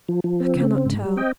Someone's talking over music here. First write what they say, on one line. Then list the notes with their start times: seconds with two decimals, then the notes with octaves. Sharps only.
I cannot tell.
0.09 F3
0.24 F3
0.40 C4
0.55 C#3
0.71 C4
0.86 G#2
1.02 G3
1.17 C4 D#5 G5